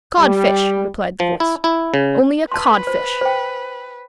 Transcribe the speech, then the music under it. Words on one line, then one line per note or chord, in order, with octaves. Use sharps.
"A codfish," replied the voice, "only a codfish."
G3
F3
E4
E4
C#3
B4 A5 C6
C5
C5 G5